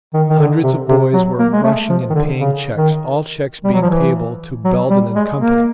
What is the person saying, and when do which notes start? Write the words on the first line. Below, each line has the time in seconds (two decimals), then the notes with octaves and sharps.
Hundreds of boys were rushing in paying checks, all checks being payable to Belden & Company.
0.14 D#3
0.30 D#3
0.39 D3
0.63 C3
0.89 C3
1.13 F#3
1.39 A#3
1.52 G#3
1.64 A3
1.89 F3
2.10 D#3
2.14 D3
2.40 C#3
2.77 D#3
3.64 G3
3.73 F#3
3.81 F3
3.90 E3
4.64 F#3
4.90 G3
5.15 G#3
5.39 A#3